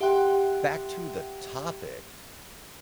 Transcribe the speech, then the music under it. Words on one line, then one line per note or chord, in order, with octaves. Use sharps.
back to the topic.
G4 E5 F#5 G5 C6 F#6